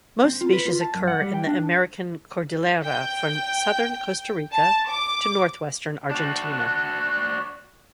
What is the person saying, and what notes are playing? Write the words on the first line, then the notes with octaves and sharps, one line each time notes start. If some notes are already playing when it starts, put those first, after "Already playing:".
Most species occur in the American Cordillera from southern Costa Rica to northwestern Argentina.
C4
F4
B4
F4
A5
F#2
F#5
G3
G5
D4
G5
A5
D6
D4 F#4